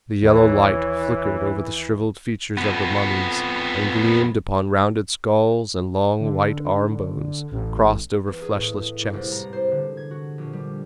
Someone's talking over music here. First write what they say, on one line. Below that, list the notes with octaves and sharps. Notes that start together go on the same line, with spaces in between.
The yellow light flickered over the shrivelled features of the mummies, and gleamed upon rounded skulls and long, white armbones crossed over fleshless chests.
D#2 E3 C#5
F2 B3
D3
A1
E2
G#4
A2
G#2
C2
A#5
C5
D3
G#6
F#4
A#1
G3